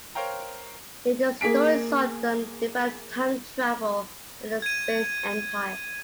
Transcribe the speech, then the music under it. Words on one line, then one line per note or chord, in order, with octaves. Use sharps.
Later stories saw them develop time travel and a space empire.
A#4 C5 C#5 F5 G5 A#5
A#3 G#4 B6 D7
G#6 D#7